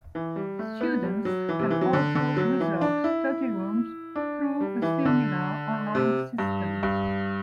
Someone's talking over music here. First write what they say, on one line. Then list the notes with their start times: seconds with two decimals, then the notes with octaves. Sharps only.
Students can also reserve study rooms through a similar online system.
0.15 E3
0.36 G3
0.59 A3
0.81 B3
1.03 G3
1.25 F#3
1.49 E3
1.59 C3
1.70 E3
1.81 F#3
1.93 D3
2.15 D3
2.37 F#3
2.60 E3
2.81 D4
3.04 E4
4.16 D4
4.61 G3
4.82 E3
5.05 D3
5.95 C3
6.38 G2
6.83 G2